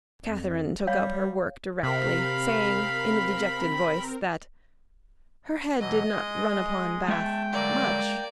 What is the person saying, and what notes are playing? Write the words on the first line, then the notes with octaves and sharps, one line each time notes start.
Catherine took up her work directly, saying, in a dejected voice, that "her head did not run upon Bath--much."
F2
G3 C#5 F5
C3 C4 A#4 F5 B5
B2 E3 F#3 D#5
G#3 G#4
G#3 E5 G5 A5
D3 F#3 G3 A#3 D5